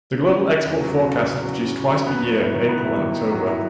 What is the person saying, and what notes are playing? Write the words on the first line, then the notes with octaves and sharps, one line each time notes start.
The Global Export Forecast is produced twice per year in April and October.
C#3
C#3
C#3
E2
F#3
C#4
C#3
C#3
F#3
C#3
C#3
F#3
B3
F#3
E4
D#3
B3
E4
D#3
D#3
F#3
E4